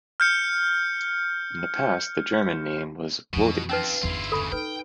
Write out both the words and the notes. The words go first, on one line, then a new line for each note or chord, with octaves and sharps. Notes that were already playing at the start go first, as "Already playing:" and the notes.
In the past the German name was "Woditz".
F6 G6 C#7
F2 B2 E3
C4 C#4 D#4 F4 B4
G1 E2 E4 F4
D2 C#3 A4 B5
D#4 B4 G5